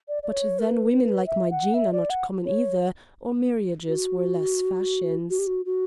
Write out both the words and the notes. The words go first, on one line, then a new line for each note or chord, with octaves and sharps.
But then women like my Jean are not common either or marriages were less fashions.
D5
D5
C#5
A#4
B4
B4
E5
F#5
E5
D5
F#5
C#5
F#4
F#4
G4
F#4
F#4